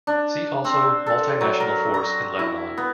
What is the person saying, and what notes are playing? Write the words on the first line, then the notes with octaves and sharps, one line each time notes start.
See also Multinational Force in Lebanon.
D4
C4
A4
F#3
A#4
A#5
E4
B3